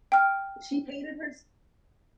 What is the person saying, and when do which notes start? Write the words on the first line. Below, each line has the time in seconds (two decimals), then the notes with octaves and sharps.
She hated her s
0.12 G5 F6